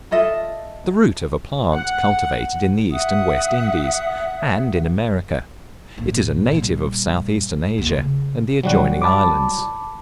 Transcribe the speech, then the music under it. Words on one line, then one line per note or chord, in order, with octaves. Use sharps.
The root of a plant cultivated in the East and West Indies, and in America; it is a native of South-eastern Asia and the adjoining islands.
F4 A4 D#5 E5
F#5
E5 F#5 D#6
A#1 A2
A#2 G3
D#1 A#3
C#3
B2 D#3 F#3 G3 F#4
A5 B5 D6